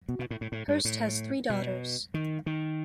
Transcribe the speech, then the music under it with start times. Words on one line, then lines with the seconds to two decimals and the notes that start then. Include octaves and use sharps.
Hirst has three daughters.
0.09 B2
0.19 B2
0.31 A2
0.41 A2
0.52 A2
0.68 G2
0.85 A2
1.50 B2
2.14 D#3
2.46 D#3